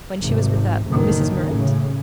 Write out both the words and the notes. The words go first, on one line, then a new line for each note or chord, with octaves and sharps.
"When she was with a Mrs. Murrett?"
G#1 C3
F#1 D2 A2 D3 D#3
A2 C#3